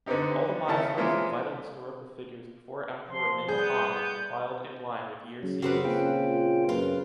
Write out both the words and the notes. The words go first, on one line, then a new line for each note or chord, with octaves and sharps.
All the milestones and vital historical figures before Emperor Ming of Han was compiled in line with year sequence.
D3 B3 C4 D#4 G4
C#3 C#4 E4 A4 A5
E3 F3 G#3 A#3 C#4 E4
F3 C6
G3 B3 G#4 G6
C#3 F#3
F#2 C#3 F#3 C4 F#4 G4 B4
A#2 C#4 F4 G5
F#2 F4 B4